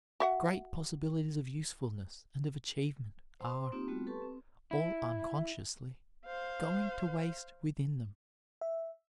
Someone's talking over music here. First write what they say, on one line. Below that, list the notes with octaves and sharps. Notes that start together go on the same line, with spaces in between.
Great possibilities of usefulness and of achievement are, all unconsciously, going to waste within them.
F#4 E5 F#5
C5 C6
A#3 C4 D#4 F4 G4
G3 A3 B3 C4 F4 F#4
G4 A4 B4 A5 C6 C#6
C4
E4
C5 F5
E5